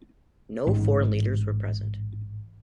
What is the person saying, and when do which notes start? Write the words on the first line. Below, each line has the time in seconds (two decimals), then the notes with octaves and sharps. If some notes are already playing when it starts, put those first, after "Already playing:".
No foreign leaders were present.
0.67 A1 G#2